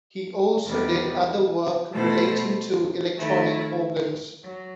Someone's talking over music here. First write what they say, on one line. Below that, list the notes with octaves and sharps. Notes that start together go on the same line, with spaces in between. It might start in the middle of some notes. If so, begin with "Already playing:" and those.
He also did other work relating to electronic organs.
E2 C3 D#3 G3 B3
B2 A3 E4 A4 C5
D#3 A3 E4
F#3